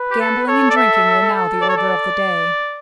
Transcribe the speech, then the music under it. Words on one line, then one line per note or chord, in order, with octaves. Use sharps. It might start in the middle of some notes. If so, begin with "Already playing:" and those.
Gambling and drinking were now the order of the day.
Already playing: B4
G4
A4
A4 C#5
D5
E5
D5
C#5
D5